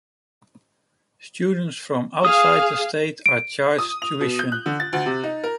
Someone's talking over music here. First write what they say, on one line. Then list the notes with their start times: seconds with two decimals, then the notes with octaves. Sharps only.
Students from outside the state are charged tuition.
2.25 G#4 F5 D#6
3.26 D7
3.79 D#6
4.02 F7
4.20 B2
4.39 G6
4.52 F#6
4.66 D3
4.80 A6
4.93 D2
5.06 C3
5.23 D#4
5.44 A#4